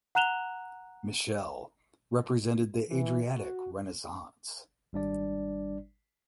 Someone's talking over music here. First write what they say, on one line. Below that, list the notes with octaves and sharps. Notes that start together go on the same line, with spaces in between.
Michele represented the Adriatic renaissance.
F#5 A#5 F#6 E7 F7 G7
E3
F#4
G#1 G3 D4 D5